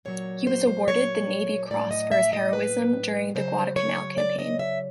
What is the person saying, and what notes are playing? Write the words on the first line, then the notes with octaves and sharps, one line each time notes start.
He was awarded the Navy Cross for his heroism during the Guadalcanal campaign.
A#2 F#3 C#5
C5
C5
C#5
A2 F#3 D5
D#5
E5
D#5
B4
C#3 F#3 C5
C#5
D5
D#5
E5